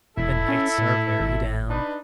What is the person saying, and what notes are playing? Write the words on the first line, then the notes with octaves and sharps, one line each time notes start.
"The nights are very damp!"
E1 E4 A4
C#4
A2
G#1
D4 D#4 B4